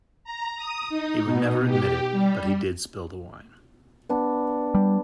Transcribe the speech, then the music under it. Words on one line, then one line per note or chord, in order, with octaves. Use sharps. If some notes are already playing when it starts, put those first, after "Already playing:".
He would never admit it, but he did spill the wine.
A#5
D#6
D#4
B2
G4
G3
B3 D4
G3